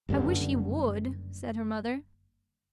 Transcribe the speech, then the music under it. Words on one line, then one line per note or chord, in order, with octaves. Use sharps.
"I wish he would!" said her mother.
F#1 G2 D3 C#4